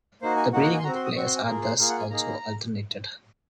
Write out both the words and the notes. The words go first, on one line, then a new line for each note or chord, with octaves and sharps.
The breathing of the players are thus also alternated.
A#3 D#4 F#4 C5
G#5
A#3 D#4 F#4 F#5
F#5
G#5
C6
C4 F#4 A#5
C6
D#6
C4 F#4 C#6
C6
G#5
A#3 F4 G#4 A#4
C5
A#3 F4 G#4 F5
F#5
G#5
A#3 D#4 G#4 A#5